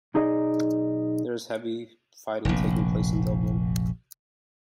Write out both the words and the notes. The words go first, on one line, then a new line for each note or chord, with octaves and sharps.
There is heavy fighting taking place in Dublin.
B1 D#4 G#4 D5 D#5
F1 A#1